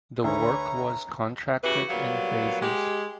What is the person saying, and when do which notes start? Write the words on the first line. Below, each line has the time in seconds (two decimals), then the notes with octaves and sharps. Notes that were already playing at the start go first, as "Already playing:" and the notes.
The work was contracted in phases.
0.24 D2 B4 C#5 A#5
1.64 C#3 E3 F#4 G4 B4
1.89 A#2 F#3 G3 B3 F5
2.61 G#3 G4